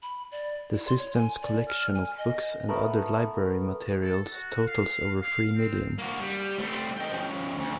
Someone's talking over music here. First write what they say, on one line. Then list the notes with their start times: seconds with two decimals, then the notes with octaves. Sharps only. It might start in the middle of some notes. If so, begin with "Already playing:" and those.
The system's collection of books and other library materials totals over three million.
0.02 B5
0.32 D5
0.74 E4
0.86 C6
0.98 C#5
1.15 G#5
1.42 D5
1.68 F6
1.95 G#5
2.18 D#5
2.68 A3 B3 A#4
4.01 A4
4.32 F#4
4.67 F5
5.22 F5
5.56 C4
5.98 A#3 F#4
6.21 G3
6.59 A3 C4
6.97 D#5 G5
7.12 F3 C#4
7.57 D2